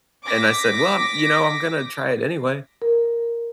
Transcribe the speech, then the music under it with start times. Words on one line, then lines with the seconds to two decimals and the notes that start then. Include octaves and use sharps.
and I said, "Well, you know, I'm gonna try it anyway."
0.25 D6 A#6 B6
2.82 A#4